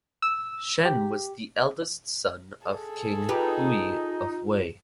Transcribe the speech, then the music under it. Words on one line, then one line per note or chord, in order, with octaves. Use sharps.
Shen was the eldest son of King Hui of Wei.
E6
G4
G#4 A4
D#4 F4 G4 B4